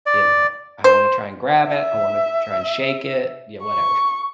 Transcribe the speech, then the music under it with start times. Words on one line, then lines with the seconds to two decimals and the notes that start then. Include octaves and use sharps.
You know? I wanna try and grab it, I wanna try and shake it yeah, whatever.
0.06 D5
0.84 C5
1.58 E5
3.63 C#6